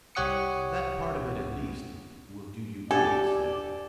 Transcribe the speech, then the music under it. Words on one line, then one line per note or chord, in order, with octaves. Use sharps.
"That part of it at least will do you good," he said.
C2 G4 C#5 F#5 D#6 C#7
D4 G4 A4 D5